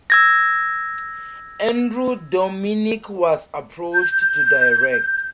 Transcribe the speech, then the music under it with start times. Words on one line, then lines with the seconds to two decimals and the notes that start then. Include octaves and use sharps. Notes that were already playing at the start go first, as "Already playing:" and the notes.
Andrew Dominik was approached to direct.
0.10 E6 G#6 A#6
3.93 G6